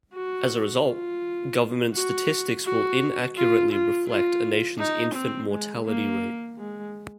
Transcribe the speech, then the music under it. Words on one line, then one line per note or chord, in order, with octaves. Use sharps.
As a result, government statistics will inaccurately reflect a nation's infant mortality rate.
F#4
F4
F#4
F#4
F4
F4
F4
D#4
C4
G#3
A#3
G#3